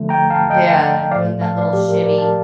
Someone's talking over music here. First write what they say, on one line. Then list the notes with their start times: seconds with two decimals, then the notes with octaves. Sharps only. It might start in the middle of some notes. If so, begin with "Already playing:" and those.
yeah, doing that little shimmy.
Already playing: D3 F3 A3
0.09 G5 A#5
0.30 F5 A5
0.50 D#5 G5
1.11 A2 F3 A3 D5 F5
1.41 F5 A5
1.57 D5 F5
1.73 G4
1.88 G4 A#4
2.03 A#4 D5
2.18 F5 A5